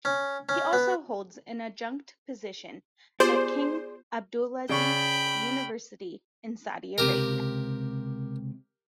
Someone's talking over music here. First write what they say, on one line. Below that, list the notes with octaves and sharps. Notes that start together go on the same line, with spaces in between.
He also holds an adjunct position at King Abdulaziz University in Saudi Arabia.
C#4
C#4
B3
B3 F4 G4 G#4 C5 D5
C#3 D5 G5 B5 C#6
C#2 C3 G4 A#4